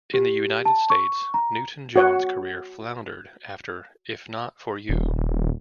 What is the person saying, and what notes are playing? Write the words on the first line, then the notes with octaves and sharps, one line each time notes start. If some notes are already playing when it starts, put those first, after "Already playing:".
In the United States, Newton-John's career floundered after If Not For You.
G4
A5
C#6
A#5
F#4 C#5 F#5
D#1
D#1